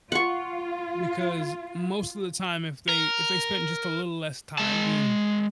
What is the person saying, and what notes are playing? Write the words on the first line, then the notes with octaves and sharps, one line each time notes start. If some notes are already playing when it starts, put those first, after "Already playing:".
Because most of the time, if they if they spent just a little less time being
F4 F#5 C#6
A#4
G#3 A5